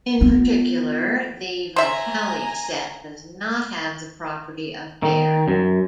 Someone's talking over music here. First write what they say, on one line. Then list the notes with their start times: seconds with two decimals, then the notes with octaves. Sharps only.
In particular, the Vitali set does not have the property of Baire.
0.21 B3 F4
1.76 C5 E5 G#5 A#5
5.03 D#3
5.48 F#2